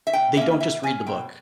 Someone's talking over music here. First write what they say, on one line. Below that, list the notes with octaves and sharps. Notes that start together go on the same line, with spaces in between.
they don't just read the book.
E5
B2 G5
A#3 C#4 E5
B2 E5
A#3 C#4 G#5
B2 G5